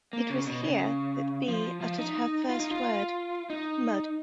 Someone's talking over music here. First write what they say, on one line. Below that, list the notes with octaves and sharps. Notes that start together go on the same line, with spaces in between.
It was here that Bea uttered her first word, "Mud".
A#3
C#3
B2
C#3
F3
F3
D#4
F4
D#4
F4
D#4